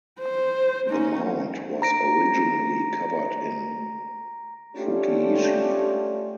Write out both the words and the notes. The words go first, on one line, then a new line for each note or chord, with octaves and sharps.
The mound was originally covered in "fukiishi".
C5
C#4 D#4
A#5 A#6 D7
A3 C#4 D4 F4 G4